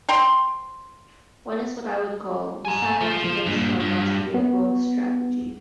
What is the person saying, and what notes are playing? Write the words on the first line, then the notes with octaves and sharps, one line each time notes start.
One is what I would call the San Angeles or Los Diego strategy.
C5 G5 A#5 C6
G#5 A#5
F3
F3
G2 A#2
G2
B3